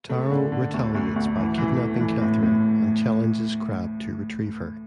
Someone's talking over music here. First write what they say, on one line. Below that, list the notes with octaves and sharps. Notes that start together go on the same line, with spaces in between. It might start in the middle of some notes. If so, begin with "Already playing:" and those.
Taro retaliates by kidnapping Catherine and challenges Crab to retrieve her.
A3
D3
D3
D2
D2
D2
E3
E3
A3
E3
A2
A2